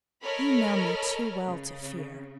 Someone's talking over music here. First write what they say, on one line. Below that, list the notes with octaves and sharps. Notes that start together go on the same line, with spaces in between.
'You know me too well to fear.'
A4 A#4 C#5 D#5 B5 F6
C#3